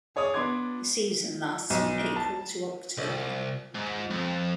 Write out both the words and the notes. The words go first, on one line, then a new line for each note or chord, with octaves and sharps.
The season lasts from April to October.
G#4 C#5 D5 D#6
B3 D4 D5 C6 D6 G#6
B1
A5
C2
G#2
F2